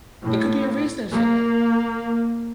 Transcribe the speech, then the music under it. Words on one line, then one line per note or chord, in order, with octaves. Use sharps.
there could be a reason for that.
A2
A#3